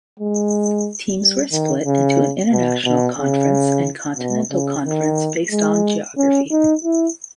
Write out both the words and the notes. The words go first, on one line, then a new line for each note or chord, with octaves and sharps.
Teams were split into an 'International Conference' and 'Continental Conference' based on geography.
G#3
G3
D#3
C#3
B2
B2
C#3
B2
C#3
D#3
G#3
C#4
D#4
E4